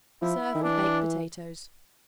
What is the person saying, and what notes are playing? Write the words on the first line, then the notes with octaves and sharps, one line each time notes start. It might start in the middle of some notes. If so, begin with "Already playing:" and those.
Serve with baked potatoes.
F3 E4
D#3
E3 D4